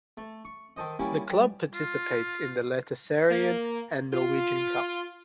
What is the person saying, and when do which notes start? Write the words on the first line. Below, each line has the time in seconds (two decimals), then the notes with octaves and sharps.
The club participates in the Eliteserien and the Norwegian Cup.
0.17 A3
0.45 C#6
0.77 D#3 A4 C5 D#5
0.99 G3 A#3 C#4 E4
1.30 G3
1.74 F4
3.30 A#3
4.13 F4